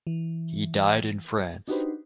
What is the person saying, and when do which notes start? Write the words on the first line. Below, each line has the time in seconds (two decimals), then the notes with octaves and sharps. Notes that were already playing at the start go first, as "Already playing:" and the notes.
He died in France.
0.07 E3
1.68 D4 D#4 F#4 G4 B4 C5